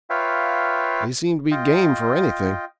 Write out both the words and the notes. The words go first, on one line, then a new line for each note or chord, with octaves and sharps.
They seem to be game for anything.
F4 B4 C#5 E5 F5 G5
F4 D#5 G5